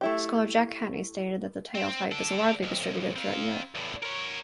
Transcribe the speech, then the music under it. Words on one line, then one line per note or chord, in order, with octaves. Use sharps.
Scholar Jack Haney stated that the tale type is "widely distributed throughout Europe".
A3 E4 G4
C4
D4 A4
B1 F2
C4 F5
E2 A2
A#4 C#5